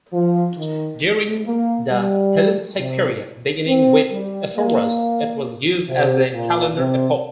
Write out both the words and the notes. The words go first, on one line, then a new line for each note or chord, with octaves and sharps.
During the Hellenistic period, beginning with Ephorus, it was used as a calendar epoch.
F3
D#3
A#3
G3
C3
C4
G3
A#3
C3
A#2
C3